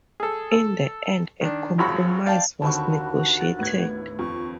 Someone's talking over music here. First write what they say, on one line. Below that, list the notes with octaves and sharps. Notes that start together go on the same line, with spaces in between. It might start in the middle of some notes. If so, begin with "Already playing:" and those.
In the end, a compromise was negotiated.
G#4 A4
A4
D#3 D4
G#1 F#2 F3 F#4 B5
D5 F5 G5 A5
D#2 D3 C4 F#4 A5 B5 C#6
F#6 A6 B6
A2 B3 B4 G#6
F2 C#6